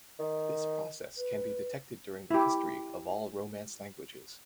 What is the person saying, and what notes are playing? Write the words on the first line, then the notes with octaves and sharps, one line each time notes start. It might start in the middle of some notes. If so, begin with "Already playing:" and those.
This process can be detected during the history of all Romance languages.
D#3
B4
E4 G4